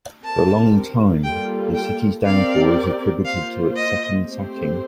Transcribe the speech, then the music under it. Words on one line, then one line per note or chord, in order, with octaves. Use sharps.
For a long time, the city's downfall was attributed to its second sacking.
C4 G4 A#4 A5
G3 A#3 F4 A4 G5
G5
C4 G4 A#4 D5 F5
A#3 F4 C5 F5
D#5
A3 C4 G4 C5